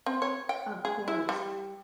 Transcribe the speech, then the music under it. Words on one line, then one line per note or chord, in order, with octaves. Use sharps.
Of course.
C4
C#5
G5
G#4
E4
G3